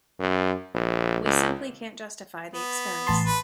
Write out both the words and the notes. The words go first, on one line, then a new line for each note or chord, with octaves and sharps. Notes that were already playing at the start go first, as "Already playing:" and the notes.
We simply can't justify the expense.
F#2
A#1
C#2
B3
A1 A5 C6
B4